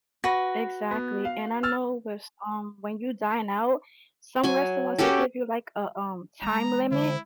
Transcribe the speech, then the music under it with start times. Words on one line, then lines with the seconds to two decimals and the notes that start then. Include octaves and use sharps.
Exactly, and I know thas um, when you dine out, some restaurants they give you, like, a, um, time limit
0.24 F#4 B4 A#6
0.91 B3
1.25 F5
1.63 E6 F6 A6
4.44 F#3 G#5
4.98 C#4 F#4 G4 A4
6.42 E3 G#3 A#5
6.92 D3 E4 C5